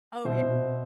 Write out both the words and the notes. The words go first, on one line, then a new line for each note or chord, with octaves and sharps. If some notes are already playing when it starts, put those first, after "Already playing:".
Oh ye
B2 C5 E5
B2
C4